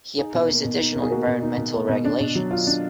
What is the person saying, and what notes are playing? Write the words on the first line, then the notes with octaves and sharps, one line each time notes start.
He opposed additional environmental regulations.
D#4 G#4
B2
A#3
B2
D#4
B2 A#4
G#4
A#3 F#4
B2
D#4
B2
A#3
B2
D4
B2
F#3
F4
D4